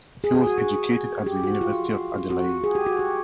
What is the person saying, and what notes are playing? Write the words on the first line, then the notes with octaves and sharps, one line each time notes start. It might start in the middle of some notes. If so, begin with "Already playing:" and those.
He was educated at The University of Adelaide.
G#4
G#4
F#4
G#4
G4
F#4
F4
F#4
G#4
G4
F#4
G4